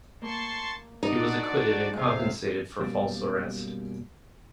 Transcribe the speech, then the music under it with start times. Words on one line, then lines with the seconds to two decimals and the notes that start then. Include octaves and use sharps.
He was acquitted and compensated for false arrest.
0.22 A#3 A5 C6 C#6
1.03 D4 D#4 F#4 D5
1.93 D#2 A2 C3 G#3 F5
2.80 F#2 B2 F#3 G3 A#3